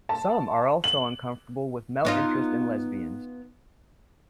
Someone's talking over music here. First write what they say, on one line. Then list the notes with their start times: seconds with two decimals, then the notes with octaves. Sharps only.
Some are also uncomfortable with male interest in lesbians.
0.09 A5
0.84 F#7
2.05 B3 D#4 F4